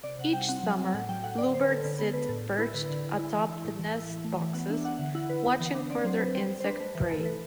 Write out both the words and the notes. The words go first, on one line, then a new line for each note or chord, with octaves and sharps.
Each summer, bluebirds sit perched atop the nest boxes, watching for their insect prey.
C3 D5
C3 F#5
G3 G5
C4 F#5
F#3
C4
A2 F#5
F#3 G5
A2 F#5
D3 D5
D3 C5
B4
D3 A4
D3 B4
B3 A4
D3 B4
A2 A4
A2
E4 B4
D3 B4
D3
D3
E4
E3
E4
A2
E3
E4
E3
A3
E3
B3 F#5
D4 E5
D4 F#5
D3 F#5
E4 F#5
D3 B4
B3
E3
D4
C4 D5
F#3 C5
F#3 B4
G3 C5
G3
C5
D4 B4
A3 B4
E3 B4
A3 A4
E3 B4